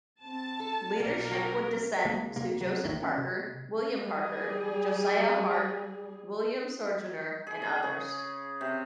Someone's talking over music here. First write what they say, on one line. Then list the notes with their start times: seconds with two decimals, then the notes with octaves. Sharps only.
Leadership would descend to Joseph Parker, William Parker, Josiah Hart, William Sojourner and others.
0.22 C4 A5
0.60 A4
0.99 B1 G3 A#3 A#4
1.31 F#3 G4
2.05 C2 G#3 A#3
2.36 D1 C3 A#3
2.61 F#3
2.83 A1 D#2 A2 D#3
3.03 C#4
3.17 C3
4.01 G3 G#4
7.47 G#4
7.62 G#4
7.83 C#3
8.61 C3